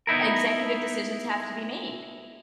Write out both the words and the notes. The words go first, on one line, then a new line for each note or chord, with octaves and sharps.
executive decisions have to be made,
B3 D#4 E4 A#4